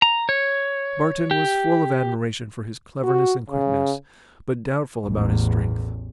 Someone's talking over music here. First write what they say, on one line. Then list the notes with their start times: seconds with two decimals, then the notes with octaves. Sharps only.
Barton was full of admiration for his cleverness and quickness, but doubtful about his strength.
0.02 A#5
0.29 C#5
1.31 G4
3.04 F#4
3.50 C#3
5.06 A1 E2 A2